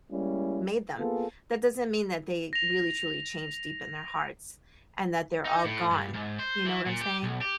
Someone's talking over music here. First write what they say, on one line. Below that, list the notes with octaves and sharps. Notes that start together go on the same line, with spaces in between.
made them. That doesn't mean that they really truly changed deep in their hearts, and that they're all gone, you know what I'm saying?
G3 G#3 A#3 C#4 E4
A#3 B3 F4 G#4 A4
A#6 F7
D#4
A2
G2
G#2
C5
E3
A#2
G4
B1
G4